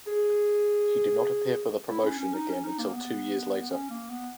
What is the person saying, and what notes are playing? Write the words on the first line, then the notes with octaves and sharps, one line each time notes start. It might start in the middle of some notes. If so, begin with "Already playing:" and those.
He did not appear for the promotion again until two years later.
G#4
E4
C#4
C#4
D#4
C#4
D#4
A#3
B3
B3
C#4
A#3
B3